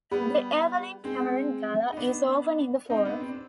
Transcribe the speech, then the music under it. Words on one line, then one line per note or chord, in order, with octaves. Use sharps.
The Evelyn Cameron Gala is often in the fall.
G3 B3
G#3 C4
D#4
B3 D4
C4 D#4
B3 D4
C4
D4